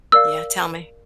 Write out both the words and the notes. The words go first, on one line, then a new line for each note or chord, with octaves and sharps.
Yeah, tell me.
A#4 D5 F5 E6